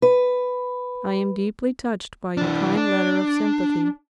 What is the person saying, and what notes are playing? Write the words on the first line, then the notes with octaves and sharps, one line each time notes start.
I am deeply touched by your kind letter of sympathy ...
B4
E3 D4
D4